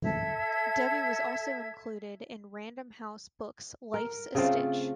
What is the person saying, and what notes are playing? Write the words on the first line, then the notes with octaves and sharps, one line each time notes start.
Debi was also included in Random House books' Life's a Stitch.
A4 E5 G#6
A#4
C#3 A3 C4 F4